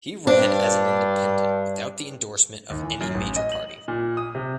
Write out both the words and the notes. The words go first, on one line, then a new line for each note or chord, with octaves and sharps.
He ran as an independent without the endorsement of any major party.
G2 D4 C5 D5
D#2
E3
F#2
A1
D#5
F#7
A#2
D#6
C3